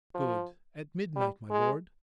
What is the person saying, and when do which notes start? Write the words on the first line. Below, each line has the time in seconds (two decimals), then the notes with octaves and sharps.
"Good! at midnight, my lord."
0.14 F3
1.16 G3
1.50 G#3